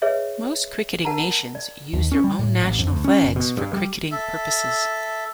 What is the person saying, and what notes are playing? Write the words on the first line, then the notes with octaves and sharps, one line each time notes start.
Most cricketing nations use their own national flags for cricketing purposes.
G#4 B4 C#5 D#5 E5
A#4 F#5 A5 A#5
D5
D#2
C#4
G3
A2
A1
F2
D2
C#4
F#1
B2
G2
G3
A4 E5